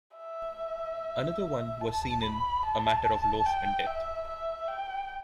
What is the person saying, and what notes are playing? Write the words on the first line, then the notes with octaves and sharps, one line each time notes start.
Another one was seen in "A Matter of Loaf and Death".
E5
A5
B5
A5
G5
E5
E5
G5